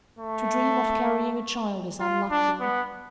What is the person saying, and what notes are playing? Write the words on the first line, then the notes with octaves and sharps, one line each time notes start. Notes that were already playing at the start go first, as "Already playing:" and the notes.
To dream of carrying a child is unlucky.
A3
F4
D4
B3